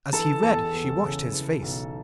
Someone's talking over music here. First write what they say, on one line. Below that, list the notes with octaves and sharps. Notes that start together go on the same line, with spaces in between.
As he read she watched his face.
E3 A4 A5
E2 A4 A5
E2
C#3
E3
B1